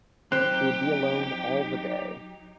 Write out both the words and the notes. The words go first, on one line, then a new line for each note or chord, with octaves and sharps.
She would be alone all the day.
F#3 C4 D#4 G4 C5 F#6